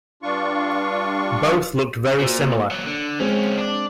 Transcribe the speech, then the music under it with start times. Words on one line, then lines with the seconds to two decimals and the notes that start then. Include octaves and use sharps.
Both looked very similar.
0.23 G2 D4 F4 C#6
2.19 A#2 F#4 C5 E6
2.71 A#2 F#3
2.87 D3
3.20 F3 G#3 C4 C#4
3.58 D4 D5